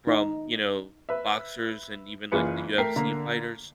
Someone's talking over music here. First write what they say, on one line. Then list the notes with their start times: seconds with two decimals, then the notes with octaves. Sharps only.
from, you know, boxers and even, like, the UFC fighters
0.07 D#4
1.09 B4 E5
2.32 F#1 E3 F4 G#4 B4 C#7
2.78 A3 A#4 G5 B6 C7
2.96 D3 A#3 A#5